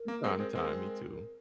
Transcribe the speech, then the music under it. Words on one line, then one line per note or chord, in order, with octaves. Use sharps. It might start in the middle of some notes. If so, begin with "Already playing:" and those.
From time to time, me too.
Already playing: A#4
A#3
G#3 C4
G#3 C4
G#3 C4